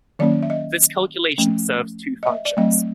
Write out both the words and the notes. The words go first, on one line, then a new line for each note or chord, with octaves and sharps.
This calculation serves two functions.
D#3 F#3 A#3 C#4 D5
E5
D#5
F3 A3 C#4
D#5
E5
D5
F#3 A3 C4 D#5